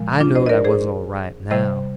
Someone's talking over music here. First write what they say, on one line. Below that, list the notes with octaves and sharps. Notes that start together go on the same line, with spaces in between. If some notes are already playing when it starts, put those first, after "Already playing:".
I knowed I was all right now.
Already playing: A#2 F3 G#3
D4 F4
C5 D#5
D#5
A#4 D5
G#4 C5
C3 G3 C5 D#5